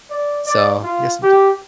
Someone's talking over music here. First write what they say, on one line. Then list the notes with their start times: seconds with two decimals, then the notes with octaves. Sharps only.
So, yes, I'm doing work
0.10 D5
0.46 D5
0.84 F4
1.23 G4